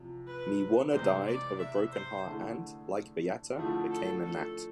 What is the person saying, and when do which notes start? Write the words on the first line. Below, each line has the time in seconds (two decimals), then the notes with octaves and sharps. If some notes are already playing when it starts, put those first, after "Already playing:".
Me Wunna died of a broken heart and, like Byatta, became a nat.
Already playing: E2 C3 F3
0.27 B4
0.93 E2 C3 G#3 C5
1.27 D5
1.60 E5
1.92 C5
2.25 D3 A3 E4 G#4
3.58 D3 F3 A3 E4 G#4
3.91 A4
4.24 A4